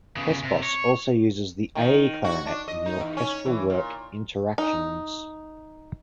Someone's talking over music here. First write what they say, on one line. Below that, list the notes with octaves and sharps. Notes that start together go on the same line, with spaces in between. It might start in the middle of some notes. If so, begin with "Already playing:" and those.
Hespos also uses the A clarinet in the orchestral work "Interactions".
C#3 B3
C3
C#5
D#3
F#4
D4
D#5
D#4
E2
C#4
E3
A#2
D#4